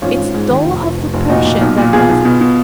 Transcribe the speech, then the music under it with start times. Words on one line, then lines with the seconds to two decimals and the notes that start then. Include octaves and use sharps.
It's 'Dolokhov the Persian' that does it!
0.02 G#1 C#4 F4
0.18 G#1
0.34 G#2
0.50 D#3
0.65 F1
0.82 F1
0.98 F1
1.14 F1
1.29 A#2 D#4 F#4
1.45 A#2
1.61 B1
1.77 A#2
1.93 B2 F4 G#4
2.09 B1
2.25 B2
2.41 B2